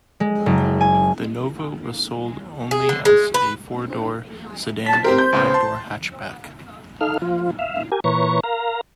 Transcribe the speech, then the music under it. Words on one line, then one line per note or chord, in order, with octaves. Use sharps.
The Nova was sold only as a four-door sedan and five-door hatchback.
G#3
F#1
G#5
G#4
D3
G#3
B4
A5 B6
C4 G4 A#4 C5
G6
C#2 C#3 B3
A5 C6
D#4 A4 F5 F6
F3 F4
E5 F5
G4 A#4 G#5
A#2 E3 B4 C#5 A#5 C#6
A#4 F5 A#5